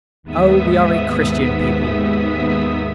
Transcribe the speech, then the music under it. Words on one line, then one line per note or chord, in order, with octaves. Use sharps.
Oh! we are a Christian people!
D#2 G#2 B3 E5 D#6 B6